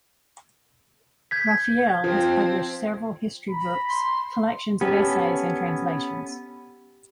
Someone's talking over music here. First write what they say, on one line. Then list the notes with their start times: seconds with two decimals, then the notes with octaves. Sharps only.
Raphael has published several history books, collections of essays and translations.
1.31 G6 G#6 B6
2.04 F3 C4
3.50 A#5 B5
3.89 C6
4.81 B3 C#4 G4 A4